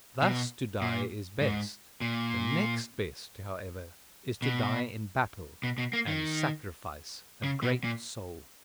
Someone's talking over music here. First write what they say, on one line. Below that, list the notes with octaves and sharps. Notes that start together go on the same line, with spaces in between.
Thus to die is best; the next best, however, is to die in battle, and sacrifice a great soul.
B2
A#2
G#2
A#2
B2
B2
B2
A#3
D#3
C#3
B2
A#2